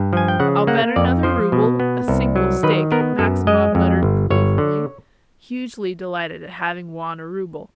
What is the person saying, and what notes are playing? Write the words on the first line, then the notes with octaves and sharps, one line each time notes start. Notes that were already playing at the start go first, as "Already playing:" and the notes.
"I'll bet another rouble, a 'single' stake," Maximov muttered gleefully, hugely delighted at having won a rouble.
Already playing: G2
F3 G#5
G5
C#3 F#5
A#3 F#5
F2 D5
F3 C5
B2
B3
C2
F#3
D#3 B4
B3 A#4
F#2 A4
G#3 D#5
F2
G1
G1 C#5
D3